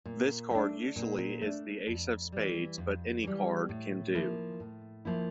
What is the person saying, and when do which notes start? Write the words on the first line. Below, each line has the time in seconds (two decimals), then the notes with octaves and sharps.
This card usually is the Ace of Spades, but any card can do.
0.06 A#2
0.51 A3 D4
0.96 A#2
1.41 A3 D4
1.87 F2
2.32 E3 G3
2.78 F2
3.24 E3 G3
3.69 A2
4.14 F3 A#3 E4
4.60 A2
5.05 F3 A#3 E4